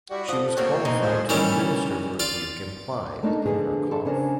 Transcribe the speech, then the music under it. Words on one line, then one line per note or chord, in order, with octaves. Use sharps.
She was qualified to administer the rebuke implied in her cough.
G3 E4 F#4
F3 A4 F#5 D#6
G3 A3 A#3 C4 F#4 C#5
B2 A#3 D#4
A2 F3 G#3 G4 G#4 C5
D#3 E3 G3 C#4
F4 D5
A3 A#3 D4 D#4
D3 F3 B3 D4 G#4
G4 A4
C#3 C#4 D4 A#4 C5